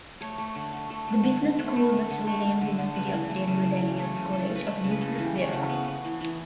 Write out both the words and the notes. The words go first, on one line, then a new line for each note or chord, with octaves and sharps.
The business school was renamed University of Denver Daniels College of Business thereafter.
A3 C#5
A3
D3
D3
A3
A3
D3
D3
A3
A3
D3
D3
A3
A3
D3
D3
C#3 B4
E3
A3
C#3
C#3
E3
A3
C#3
C#3 A4
E3
B4
A3
B4
C#3
B4
C#3 A4
E3
G4
A3
F#4
C#3
B3
B3
E3
E3